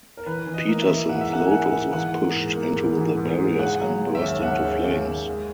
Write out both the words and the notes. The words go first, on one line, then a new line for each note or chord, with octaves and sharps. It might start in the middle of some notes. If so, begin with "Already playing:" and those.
Peterson's Lotus was pushed into the barriers and burst into flames.
A#4
E3 B4
E3
D#5
A#3
E5
E3
G#2 F#5
E5
A#3 F#5
G#5
A#3 F#5
G#2
E3 F#5
A#3
G#2
A#3
G#2
E3
G#2
G#2
C#3 F#5
F#3
F#3
E5
D#2
D#2 F#5
C#3
D#2
D#2
G#3